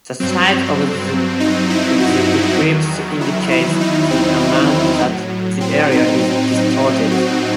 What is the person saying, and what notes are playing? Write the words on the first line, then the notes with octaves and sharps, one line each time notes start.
The size of the ellipse indicates the amount that the area is distorted.
G2 F#3 C4
D#4
E4
F#4
E2 D#3 F#3
E4
E4
D#4
C4
D#4
A2 F#3
C4
D#4
C4
D#4
D#4
F#4